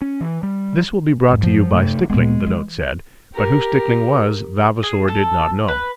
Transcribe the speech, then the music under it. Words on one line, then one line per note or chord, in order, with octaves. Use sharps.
"This will be brought to you by Stickling," the note said; but who Stickling was Vavasor did not know.
C#4
E3
G3
F2 G#2
F#2 F3
C3 A3
A#2 G#3 B3
E3
G4 A#4
G#4
A4
B4